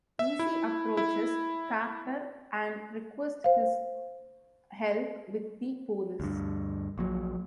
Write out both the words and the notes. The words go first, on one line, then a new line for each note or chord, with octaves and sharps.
Easy approaches Carter and requests his help with the police.
E5
E4
E4
C5 F5
D2 G2
A#1 A#2 F#3